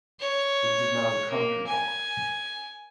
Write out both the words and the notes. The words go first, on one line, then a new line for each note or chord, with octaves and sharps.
This is now the Country Park.
C#5
A#3
G#5